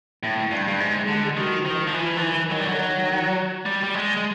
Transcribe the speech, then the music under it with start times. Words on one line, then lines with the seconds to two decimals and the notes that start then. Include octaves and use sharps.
Many of these are now readily available online.
0.23 A2
0.51 G2
0.68 G2
0.80 G#2
1.08 D3
1.37 D#3
1.65 D#3
1.87 F3
1.94 E3
2.17 F3
2.22 E3
2.51 F#3
2.59 G3
2.68 F#3
3.66 G3
3.83 G3
3.94 G#3
4.17 G#3